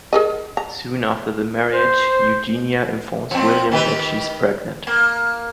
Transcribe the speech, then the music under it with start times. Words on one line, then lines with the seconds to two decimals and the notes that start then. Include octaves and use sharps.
Soon after the marriage, Eugenia informs William that she is pregnant.
0.13 G#4 A#4 D#5
0.57 A#5
1.73 C5
3.31 F3 C4
3.72 D#3 G4 B4
4.87 A#3